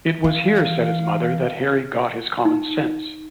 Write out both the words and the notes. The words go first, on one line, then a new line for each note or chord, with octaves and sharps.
It was here, said his mother, that Harry got his common sense.
E3 F5
D#4